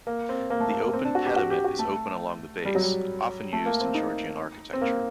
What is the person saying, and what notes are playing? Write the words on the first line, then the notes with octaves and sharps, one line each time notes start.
The open pediment is open along the base - often used in Georgian architecture.
A#3
C4
A#3
A3
A3
A#3
C4
D4
F#4
G4
F#4
G4
F#4
A3
G3
F#3
G3
A3
A#3
C4
D#4
C4
A#3